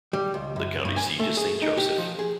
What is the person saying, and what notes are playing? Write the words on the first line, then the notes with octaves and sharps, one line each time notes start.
The county seat is Saint Joseph.
G3
C#2
F#2
G2
G#5
A3
G#4
D#4
G4
F3
G#4